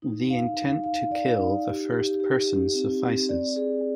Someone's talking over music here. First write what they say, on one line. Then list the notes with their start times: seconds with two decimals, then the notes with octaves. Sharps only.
The intent to kill the first person suffices.
0.02 D#4
0.30 F5
0.57 D#4
0.84 F5
1.11 D5
1.38 D#4
1.66 G4
1.93 G4
2.20 G4
2.47 G4
2.74 C4
3.01 C4
3.29 D5
3.56 G#4